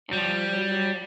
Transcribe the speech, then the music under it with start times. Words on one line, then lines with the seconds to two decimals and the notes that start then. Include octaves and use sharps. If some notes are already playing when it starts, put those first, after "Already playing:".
and I remember,
0.13 G3